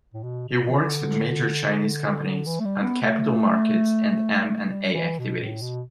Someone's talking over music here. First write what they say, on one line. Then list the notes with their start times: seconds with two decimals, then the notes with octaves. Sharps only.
He works with major Chinese companies on capital markets and M and A activities.
0.14 A2
0.23 B2
0.48 B2
0.68 E3
0.72 D3
2.46 E3
2.60 A3
2.65 G3
2.83 B3
3.02 A3
4.69 G3
4.93 E3
5.18 B2
5.43 A2
5.62 B2